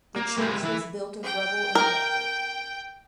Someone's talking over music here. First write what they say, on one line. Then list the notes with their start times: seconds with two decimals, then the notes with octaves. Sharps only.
The church was built of rubble and gravel.
0.16 A#3
0.38 G#3 A#3 E4 G4
0.63 E3 E4
1.25 G5
1.75 A#4